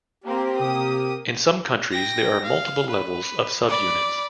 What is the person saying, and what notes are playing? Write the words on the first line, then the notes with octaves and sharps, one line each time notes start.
In some countries, there are multiple levels of subunits.
A#3 C4 G4 A#4
C3 A#3 D#6
G5 A#6
F5
B4
D5 B5